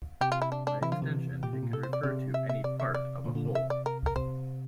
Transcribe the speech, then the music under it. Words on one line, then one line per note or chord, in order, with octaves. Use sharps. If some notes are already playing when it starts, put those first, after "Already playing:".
By extension it can refer to any part of a whole.
C3 G4
F4
E4
D4
D4
C3 E3 E4
D3 F3 F4
C3 E3
A#2 G4
C3
A#2
C3 A4
C5
C3 D5
C3 D5
E5
E5
C3 D5
E5
D5
A#2 D3
A#2 D3
C3
E5
D5
A#4
A#4
C3 C5